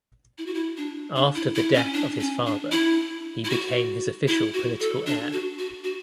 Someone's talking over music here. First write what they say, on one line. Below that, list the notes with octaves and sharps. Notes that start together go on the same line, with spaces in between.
After the death of his father he became his official political heir.
E4
F#4
E4
D4
D4
E4
E4
C#4
D4
C#4
D4
E4
E4
F#4
E4
F#4
A4
D4
F#4
F#4
F#4